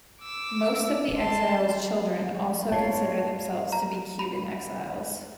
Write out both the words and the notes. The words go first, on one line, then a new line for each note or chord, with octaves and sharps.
Most of the exiles' children also consider themselves to be Cuban exiles.
D6 E6
A5 C6
G#2 F4 A#4 C#5 A5 C7
A#5
B5